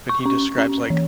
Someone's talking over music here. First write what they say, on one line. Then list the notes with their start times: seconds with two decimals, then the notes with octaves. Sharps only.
When he describes, like,
0.09 C#6
0.26 C#4
0.58 C#4
0.90 E3